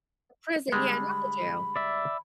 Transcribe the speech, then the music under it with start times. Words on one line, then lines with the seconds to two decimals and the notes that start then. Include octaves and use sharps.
The prison, yeah, not the jail.
0.72 D3 G3 G#3 B5
1.76 D5 E5